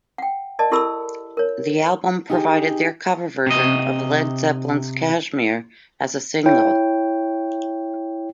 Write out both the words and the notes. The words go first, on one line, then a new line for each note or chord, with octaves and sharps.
The album provided their cover version of Led Zeppelin's "Kashmir" as a single.
F#5 G5
A#4 D5 D#5 A5
E4 G4 A4 A#4 B5 E6
A#4 C#5
D#4 G4 G#4
C3 D#5
E4 C#5 G5